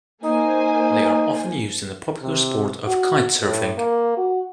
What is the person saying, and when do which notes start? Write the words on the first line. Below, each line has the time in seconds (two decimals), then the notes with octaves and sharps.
They are often used in the popular sport of kite surfing.
0.24 A#3 D#4 C5 G#5
2.22 C3
2.87 F#4
3.41 A2
3.78 A#3
4.17 F#4